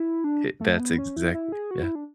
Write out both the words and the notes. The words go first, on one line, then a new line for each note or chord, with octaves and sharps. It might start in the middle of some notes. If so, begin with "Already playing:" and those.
It that's exactly Yeah.
Already playing: E4
D4
A3
B3
C#4
E4
E4
G#4
F#4
E4
D4